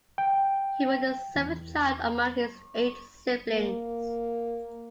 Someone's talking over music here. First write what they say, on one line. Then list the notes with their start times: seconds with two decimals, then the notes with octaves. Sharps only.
He was the seventh child among his eight siblings.
0.18 G5
1.36 E2
3.52 A#3